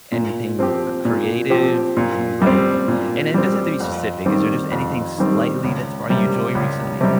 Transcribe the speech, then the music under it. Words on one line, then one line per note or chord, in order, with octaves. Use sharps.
anything c creative? Do you like and then it doesn't have to be specific. Is there just anything slightly that's brought you joy recently?
A#2
F3 C4 G4
A#2
F3 C4 G4
A#2
G3
C4
A#2
G3 C4
F2
D#3 G3 C4
F2
D#3 G3 C4
C#2
C3 G3
C#2
C3 G3